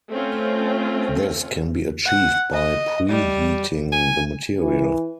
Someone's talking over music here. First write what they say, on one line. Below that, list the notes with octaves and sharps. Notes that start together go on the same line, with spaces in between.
This can be achieved by preheating the material.
A3 C4 C#4 F4
F#5
D#5
G3
G#5
E3